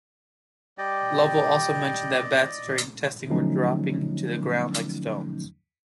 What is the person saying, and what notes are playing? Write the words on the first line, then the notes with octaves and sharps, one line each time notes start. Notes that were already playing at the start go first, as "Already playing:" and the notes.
Lovell also mentioned that bats during testing were dropping to the ground like stones.
G3 G4 D5 D#5 G5
D3 F3 F#3 A3 C#4 D#4